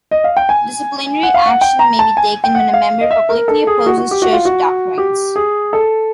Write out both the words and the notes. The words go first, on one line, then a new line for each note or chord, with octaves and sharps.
Disciplinary action may be taken when a member publicly opposes church doctrines.
D#5
F5
G5
G#5
F#5
F5
F#5
G5
A#5
A5
G#5
G5
F#5
F5
D#5
E5
A#4
A4
G#4
F#4
F#4
G4
F#4
F4
F#4
G4
G#4
A4